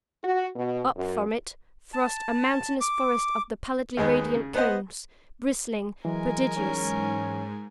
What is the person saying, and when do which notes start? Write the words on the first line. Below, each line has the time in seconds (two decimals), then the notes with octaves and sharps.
Up from it thrust a mountainous forest of the pallidly radiant cones; bristling; prodigious.
0.24 F#4
0.56 B2
0.96 F#2
1.93 A5
2.81 D6
3.97 D#2 G#3 B3 D#4
4.34 C#3
4.54 B3 B4 C5 D#5 F#5
6.05 E3 F#3 G#3 A#4 G#5
6.56 G#2 C#4